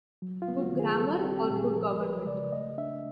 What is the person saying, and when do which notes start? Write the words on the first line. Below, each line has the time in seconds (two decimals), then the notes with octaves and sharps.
Good grammar or Good government?
0.22 F#3
0.42 F4
0.48 B3
0.61 F#4
0.74 D#3
0.79 G#4
0.99 G3 A4
1.19 G4
1.25 C4
1.37 G4
1.50 A#2
1.56 G#4
1.76 F3 A#4
2.01 G#3 B4
2.26 C#3 D5
2.52 A3 D#5
2.78 D4 E5